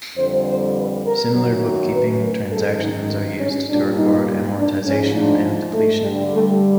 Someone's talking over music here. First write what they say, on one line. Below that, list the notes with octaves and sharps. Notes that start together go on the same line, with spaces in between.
Similar bookkeeping transactions are used to record amortization and depletion.
F2 D3 G3 C5
C5
B4
A#4
F#2 D#3 F#3
B4
A#4
F#2 D#3 G#3 A4
D#4
C#4
A#2 G3 D4
D#4
D4
G#2 F3 G#3 C#4
D4
A3
G2 D3 G3
A3